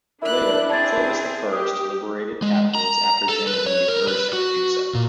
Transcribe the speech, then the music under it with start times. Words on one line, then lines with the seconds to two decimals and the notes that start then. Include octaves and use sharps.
Later, Clovis I liberated captives after Genevieve urged him to do so.
0.23 D4 E4 A#4 B5 F#6
0.69 C4 G#4 A5 G#6 A6
1.53 G4 D#6
2.42 G#3
2.75 A#5
3.29 A4
3.47 B4
3.66 C#5
3.88 A#4
4.08 B4
4.33 F#4
4.95 A#2